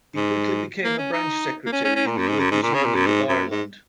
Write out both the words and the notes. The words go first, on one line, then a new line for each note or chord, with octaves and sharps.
He quickly became a branch secretary in the Workers' Union of Ireland.
G#2
A#3
C#4
D#4
A#3
C#4
C#4
C#4
A#2
F#2
G#2
F#2
G#2
A#2
C#3
A#2
F#2
G#2
F#2
G#2